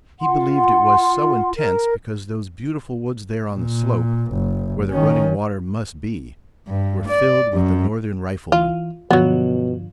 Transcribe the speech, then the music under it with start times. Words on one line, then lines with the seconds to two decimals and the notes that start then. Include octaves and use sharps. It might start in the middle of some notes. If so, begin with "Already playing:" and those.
He believed it was so intense because those beautiful woods there on the slope, where the running water must be, were filled with the Northern riflemen.
0.21 F4 F#5 C6
1.55 A#4
3.53 A#2
4.32 F#1
4.91 D#3 C#4
6.68 G2
7.08 D5
7.53 F#2
8.52 E3 F4
9.11 G2 B2 D3 F3 F#3 B3